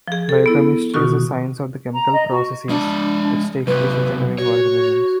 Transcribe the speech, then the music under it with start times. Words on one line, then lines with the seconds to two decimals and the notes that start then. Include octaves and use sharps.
Biochemistry is the science of the chemical processes which takes place within living organisms.
0.08 F3 G#4
0.29 A4
0.46 B3 E4
0.94 B2 D#3 F4 F#4 C#6
1.93 A#5
2.13 D#5
2.31 F#4
2.69 G#3 D4 D5
3.67 C3 F#3 B4
4.38 F#4 C#5